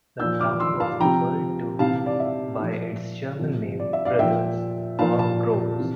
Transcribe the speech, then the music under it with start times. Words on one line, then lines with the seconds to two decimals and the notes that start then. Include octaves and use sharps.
The town was referred to by its German name, "Brothers" or "Broos".
0.20 A#2 F3 E6 G6
0.40 D6 F6
0.60 C6 E6
0.80 F5 A5
1.00 C3 F3 G5 A#5
1.79 C3 E3 F5 A5
2.06 D5 F5
2.20 E5
2.59 A#2 F3
3.39 C3 F3
3.80 D5
3.93 E5
4.05 D5 F5
4.19 A#2 F3 E5 G5
4.99 A#2 F3 F5 A5
5.18 F5 A5
5.79 C3 E3